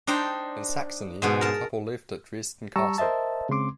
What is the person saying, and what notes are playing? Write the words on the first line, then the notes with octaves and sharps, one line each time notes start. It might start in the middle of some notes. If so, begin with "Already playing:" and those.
In Saxony, the couple lived at Dresden Castle.
D4 D#4 C5 G5 A#5
G#2 B2 G#3
A#4 A5
G3 A5 A#5 C#6 E6
A#4 C5 D#5 E5 A5
C#3 G#3 C4 C6 D6